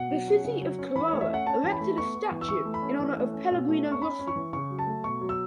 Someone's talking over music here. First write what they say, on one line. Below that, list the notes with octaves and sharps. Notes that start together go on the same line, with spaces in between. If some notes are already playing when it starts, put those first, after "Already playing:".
The city of Carrara erected a statue in honour of Pellegrino Rossi.
Already playing: B2 F#5
F#3
C#4
C#3
F#3
C#4
E3 B5
A3 C#5
E5
C#4 F#5
C#4 A5
E3
B5
A3
B3 C#6
B3
E3
E6
E3 C#6
A3
B5
C#4
E3
A3
C#4
B2
A3
C#4
C#6
C#4 B5
C#4
C#6
E3
C#3 C#6
F#3
A5
A3
B2 C#6
F#3
E6